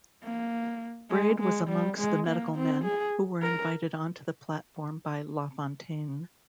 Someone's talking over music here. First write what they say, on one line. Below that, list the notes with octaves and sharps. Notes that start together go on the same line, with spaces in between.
Braid was amongst the medical men who were invited onto the platform by Lafontaine.
A#3
G#3
G#3
G3
G#3
A#3
C4
G#4
A#4